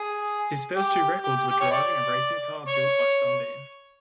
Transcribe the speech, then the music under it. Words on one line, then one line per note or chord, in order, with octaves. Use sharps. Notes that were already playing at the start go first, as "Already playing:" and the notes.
His first two records were driving a racing car built by Sunbeam.
Already playing: G#4
G4
G4
G4
G4
C#5
D5
C#5